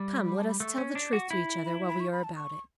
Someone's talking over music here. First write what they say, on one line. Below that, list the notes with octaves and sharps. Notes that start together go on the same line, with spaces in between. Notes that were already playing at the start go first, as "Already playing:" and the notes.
"Come, let us tell the truth to each other, while we are about it."
Already playing: G3
B5
A5
B5
A3 C#6
C#4
D4 D6
F#4
E4 B5
B5
B5
C#6
B5
A5
C#6